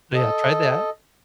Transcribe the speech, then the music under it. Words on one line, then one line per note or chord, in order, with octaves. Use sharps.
So yeah, try that.
A4 D#5